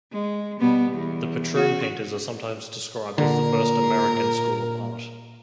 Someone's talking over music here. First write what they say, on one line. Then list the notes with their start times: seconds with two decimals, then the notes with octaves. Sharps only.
The patroon painters are sometimes described as the first American school of art.
0.12 G#3
0.60 B2 G3 B3
0.91 E2
1.55 C#4 F#4
3.18 A#2 D3 A#4